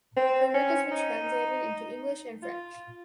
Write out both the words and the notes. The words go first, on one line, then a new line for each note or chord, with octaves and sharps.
Her work has been translated into English and French.
C4
C#4
D#4
F4